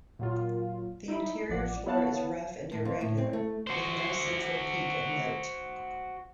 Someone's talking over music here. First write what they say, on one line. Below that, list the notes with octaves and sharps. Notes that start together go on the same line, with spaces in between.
The interior floor is rough and irregular, with no central peak of note.
A#2 F#3 F4
D#4 E4 E5 B5
A1 F3 D5 F#5
B3 E4 C#5 F5 F#5 A5
A2
F2
A2
C4
A3
F#4 C5